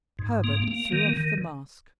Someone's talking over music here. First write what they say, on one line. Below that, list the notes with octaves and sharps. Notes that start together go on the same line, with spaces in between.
Herbert threw off the mask.
G#2
A#3
A#3
D#3
D#3